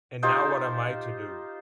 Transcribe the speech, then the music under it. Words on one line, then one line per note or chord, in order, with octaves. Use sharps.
And now what am I to do?
D#4 F4 G4 C5